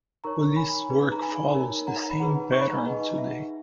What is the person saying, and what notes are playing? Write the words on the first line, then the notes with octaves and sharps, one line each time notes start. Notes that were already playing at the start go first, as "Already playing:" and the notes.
Police work follows the same pattern today.
D#4 A#4 C#5 A#5 C#6
G#5 B5
D#4 G#4 B4
A#5
G#5 B5
D#4 A#4 C#5
F#5 A#5
B5
D#4 G#4 B4 F#5 A#5
C#6
B5
A#5
G#5
D#4 G#4 B4 D#5 F#5
E5